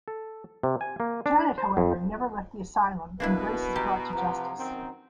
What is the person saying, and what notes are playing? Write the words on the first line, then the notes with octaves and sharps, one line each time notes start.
Janet, however, never left the asylum, and Grace is brought to justice.
A4
C3
G#5
A#3
D4
C5
F2
B2 A#3 D4 E4 B4
G4 A#5
C3 F3 F#5 A#5
F#2 D#3 C4